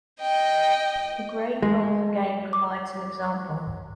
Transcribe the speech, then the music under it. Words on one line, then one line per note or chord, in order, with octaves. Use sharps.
The Gray graph again provides an example.
D#5 G5
G#3
D6